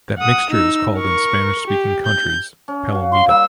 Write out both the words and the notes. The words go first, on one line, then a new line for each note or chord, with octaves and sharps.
That mixture is called in Spanish speaking countries "palomita".
F#5 D#6
D#4 E6
A#4 C#6
G4
G6
C#4
F#4 F5
F4 C6
G3 A#3 C6 E6